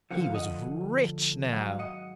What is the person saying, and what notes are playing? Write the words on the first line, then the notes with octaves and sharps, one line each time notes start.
He was rich now.
D2 D3 F3 F#5
F5
D#5 F#5
G#2 D#3 F#3 F#5
F5
D#5 F#5